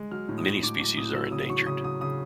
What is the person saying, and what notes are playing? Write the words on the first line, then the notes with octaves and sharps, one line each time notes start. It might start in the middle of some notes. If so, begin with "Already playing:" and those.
Many species are endangered.
Already playing: G#3
F#3 F6
A2
D#6
F#3
A2 D6
F#3 D6
A2 D#6
F#3 E6
C#3 D#6
F#3 C#6
C#3 D#6
F#3 D#6
C#3 D#6